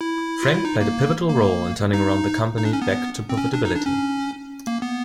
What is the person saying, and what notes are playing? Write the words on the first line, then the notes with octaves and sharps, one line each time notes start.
Frank played a pivotal role in turning around the company back to profitability.
E4
F4
E4
D#4
A#3
A#3
D#4
D#4
D4
C#4
B3
C4
C#4
D4
D#4
D4
C#4
A#3
B3